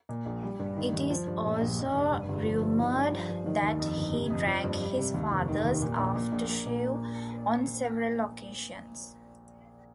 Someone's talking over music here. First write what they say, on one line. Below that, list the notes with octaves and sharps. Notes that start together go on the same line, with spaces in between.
It is also rumored that he drank his father's aftershave on several occasions.
A#2
A#1
G3
G2
D#3
D#2
F3
G2
A#2
A#1
F2
F1
G2
G1
F3
G2
D#3
G2
F3
G2
D#3
D#2
F2
G1
C3
F2
F3
G2
G3
C3
D#2
F1
D#3
D#2
A#2
A#1
A#2
A#1
A#3
A#2